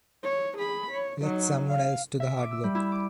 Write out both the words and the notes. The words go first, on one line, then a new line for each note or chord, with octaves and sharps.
Let someone else to the hard work.
C#5
G#4 B5
C#5
F#3 D#4
F5
E5
D6
E6
G3
E4
D6